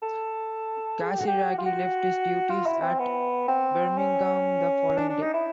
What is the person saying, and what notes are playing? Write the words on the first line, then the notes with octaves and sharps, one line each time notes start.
Casiraghi left his duties at Birmingham the following day.
A4
G#4
G4
F#4
G4
F#4
F4
F#4
F4
E4
C4
B3
C4
C#4
D4
D4
D#4
E4